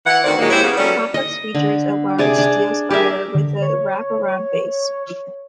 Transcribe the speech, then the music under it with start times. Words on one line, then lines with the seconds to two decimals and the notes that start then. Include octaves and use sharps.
The complex features a large steel spire with a wrap-around base.
0.06 E3 F#5
0.24 D2 D#3 C4 F#4 A#4 D5
0.38 A#2 D#3 F#3 G#3 A#3
0.51 G#3 E4 G4 C5 C#5
0.64 C#3 B3
0.78 F#3 G3 A3 C#4 G4 D5
1.14 D#5
1.55 D3
2.18 C3 G#4 D5
2.38 D4
2.90 G4 G#4 A#4 E5
3.35 D3
3.62 C#5